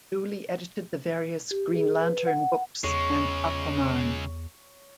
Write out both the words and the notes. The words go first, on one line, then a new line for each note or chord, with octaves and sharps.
Dooley edited the various "Green Lantern" books and "Aquaman".
G4
G#4
B4
F#5
E2 C#3 G#3 C#5